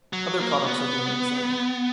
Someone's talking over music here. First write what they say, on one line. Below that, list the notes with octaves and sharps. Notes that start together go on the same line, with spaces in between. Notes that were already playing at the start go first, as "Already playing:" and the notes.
Other products are being examined.
F#3
A#3
B3